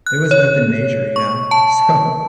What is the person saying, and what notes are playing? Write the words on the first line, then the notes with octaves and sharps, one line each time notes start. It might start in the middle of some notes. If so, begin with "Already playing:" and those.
it was nothing major, you know? So,
F#6
C#5
C#6
A5